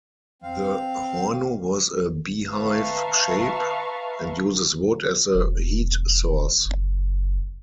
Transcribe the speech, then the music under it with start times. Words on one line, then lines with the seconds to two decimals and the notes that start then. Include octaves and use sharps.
The horno has a beehive shape and uses wood as the heat source.
0.42 C4 F5
2.50 B4 E5 F5 A5 A#5 C#6
5.34 E1
6.65 F#1